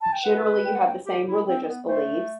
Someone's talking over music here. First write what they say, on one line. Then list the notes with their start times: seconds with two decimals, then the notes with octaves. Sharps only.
Generally you have the same religious beliefs.
0.01 A5
0.12 G5
0.24 B4 F#5
0.65 G5
0.75 F#5
0.86 G5
1.05 G4
1.26 E4
1.47 C4 G5
1.67 B3
1.87 A3 C5